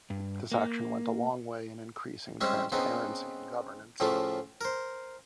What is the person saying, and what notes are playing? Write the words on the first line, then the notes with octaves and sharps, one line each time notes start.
This action went a long way in increasing transparency in governance.
G2
A#3
G3 G#3 C4 C#4 E5
C#3 B3 C4 D#4
A2 C#3 F3 A3
A#4 C5